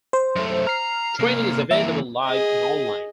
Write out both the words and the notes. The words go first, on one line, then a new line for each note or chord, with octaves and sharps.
Training is available live and online.
C5
F#2 A3
A#5 F6 C7
C3 A#3
E3 A#3 E5
G#4 D#5